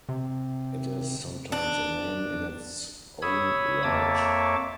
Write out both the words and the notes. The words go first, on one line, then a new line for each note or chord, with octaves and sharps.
It is sometimes a name in its own right.
C3
D4
C#5 B5 D#6 E6 G#6
F2 A#3 C#5 E5 A5 D6